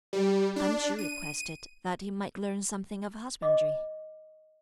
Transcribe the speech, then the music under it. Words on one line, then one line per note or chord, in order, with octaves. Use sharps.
Fan Ch'i requested that he might learn something of husbandry.
G3
D4
D#7
D#5 D6